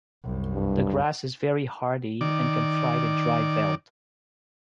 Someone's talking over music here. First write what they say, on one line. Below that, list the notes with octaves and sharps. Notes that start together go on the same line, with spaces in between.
The grass is very hardy and can thrive in dry veld.
C2 F#2
G2
D#3 D5